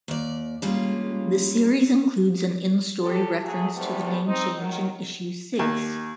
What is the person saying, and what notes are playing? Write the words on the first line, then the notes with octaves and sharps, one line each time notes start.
The series includes an in-story reference to the name change in issue six.
D#2 D5
G3 G#3 A#3 C#4 F4
F#3 G3 G4 A4
F#3 A3 G#4
E2 G#2 C3 G3 A3 B3
C4 D#4
D#3 F#3
D#2